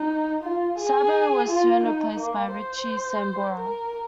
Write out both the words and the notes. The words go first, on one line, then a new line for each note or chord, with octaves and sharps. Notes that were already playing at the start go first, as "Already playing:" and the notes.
Sabo was soon replaced by Richie Sambora.
Already playing: D#4
F4
G#4
F4
D#4
A#3
C5
A#4